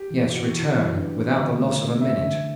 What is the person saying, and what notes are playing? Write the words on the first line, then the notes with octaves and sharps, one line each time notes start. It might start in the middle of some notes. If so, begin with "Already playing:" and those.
"Yes, return, without the loss of a minute."
Already playing: G4
E3
F#4
E3
E3
D4
A3
D3
A3
A3
D4 E5
D3